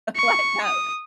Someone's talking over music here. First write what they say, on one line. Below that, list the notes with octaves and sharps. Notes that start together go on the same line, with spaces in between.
like, have
C#6
D#6